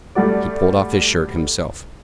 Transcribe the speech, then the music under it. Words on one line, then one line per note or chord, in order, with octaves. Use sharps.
He pulled off his shirt, himself.
G3 A3 F#4 D5